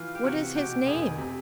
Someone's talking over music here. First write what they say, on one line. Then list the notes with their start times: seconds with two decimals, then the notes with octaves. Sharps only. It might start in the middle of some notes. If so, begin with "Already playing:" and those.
"What is his name?"
Already playing: E3 F4
0.15 G4
0.24 C3 F#4
0.55 B2 G4
0.87 F1 G#4
1.18 C3